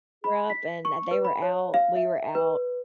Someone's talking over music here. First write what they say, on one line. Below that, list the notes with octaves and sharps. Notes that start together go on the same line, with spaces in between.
grew up and they were out we were out
B5
B6
C#6
B4
B5
C#5
F5
E5
B4